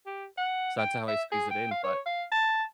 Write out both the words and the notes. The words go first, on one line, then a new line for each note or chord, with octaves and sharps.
so, that's how I squeeze it in, but
G4
F#5
G5
E5
G#4
G5
F5
C#5
F5
A5